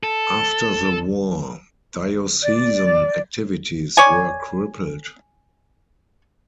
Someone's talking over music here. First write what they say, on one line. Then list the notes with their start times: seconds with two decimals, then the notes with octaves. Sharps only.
After the war diocesan activities were crippled.
0.03 A4
2.43 D5
3.97 C#5 D5 G#5